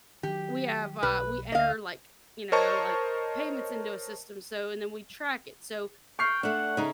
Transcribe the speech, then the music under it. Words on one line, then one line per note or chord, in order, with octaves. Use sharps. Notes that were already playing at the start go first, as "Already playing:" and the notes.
we have, uh we enter, like, you know, like, payments into a system, so, and then we track it, so
D#3 F#3 G4
B1 B4
D2 D#5 F5
A#4 C5 C#5 D#5 A5 C#6
G5 C#6 F6 C7
A3 D4 F#5
C#3 D#4